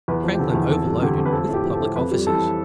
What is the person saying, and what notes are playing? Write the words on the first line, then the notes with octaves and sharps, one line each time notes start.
Franklin overloaded with public Offices.
E2 B4
F3
G4
D3 A4
E2
F2 A4
G3
D3 G4
F2
B4
F3 A4
A2 A4
G4
F3
A4
A2
F2 B4
G3
E3 A4